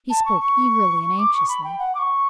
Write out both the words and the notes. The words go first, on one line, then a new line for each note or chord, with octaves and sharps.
He spoke eagerly and anxiously.
A5
C#6
C#6
C#6
D6
C#6
B5
G5
F#5
D6
C#6